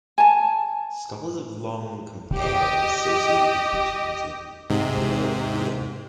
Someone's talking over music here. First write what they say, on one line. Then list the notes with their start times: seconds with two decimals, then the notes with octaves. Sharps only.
Scholars have long compared and associated the teachings of Kapila and Buddha.
0.18 G#5 A5
2.34 G4 D#5
4.70 G#2 C3